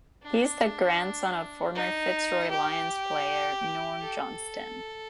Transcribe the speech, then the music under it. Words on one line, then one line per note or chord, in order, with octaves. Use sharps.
He is the grandson of former Fitzroy Lions player, Norm Johnstone.
D4
D#4
G4
A4